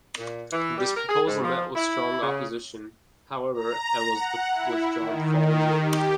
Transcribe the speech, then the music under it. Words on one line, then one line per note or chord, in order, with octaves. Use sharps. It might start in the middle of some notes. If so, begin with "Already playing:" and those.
This proposal met with strong opposition, however, and was withdrawn the following year.
A#2
E3
G3
A#4
G#4
G#2
F3
E4
C#3
A#5
F#5
E4
D#3
G4